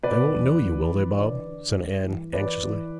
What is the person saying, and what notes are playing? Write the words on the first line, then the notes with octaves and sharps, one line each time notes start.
'They won't know you, will they, Bob?' said Anne anxiously.
B2 B4 D5
E2
E3
E3
D3 B4 D5
D3
G2
E3
E3 B4 D5
E3